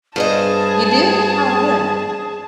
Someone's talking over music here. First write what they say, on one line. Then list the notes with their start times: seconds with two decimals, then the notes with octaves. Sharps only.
You do? Oh, good.
0.16 G2 G#4 C5 D#5 A5